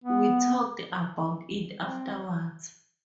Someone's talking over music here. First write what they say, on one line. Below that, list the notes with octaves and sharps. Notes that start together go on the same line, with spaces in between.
We talked about it afterwards.
B3
C4